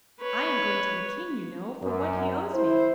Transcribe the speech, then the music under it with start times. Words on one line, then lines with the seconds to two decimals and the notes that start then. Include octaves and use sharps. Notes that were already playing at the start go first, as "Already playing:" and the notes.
'I am going to the King, you know, for what he owes me.'
0.21 B4 C#5
1.83 F#2
2.54 E4 C5